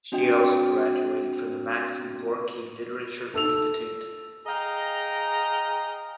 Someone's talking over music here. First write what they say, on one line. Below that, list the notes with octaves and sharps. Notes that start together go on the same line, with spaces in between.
She also graduated from the Maxim Gorky Literature Institute.
C4 D4 F#4 D#5 G5
A4 E6 F7
G#4 D#5 F5 G5 A#5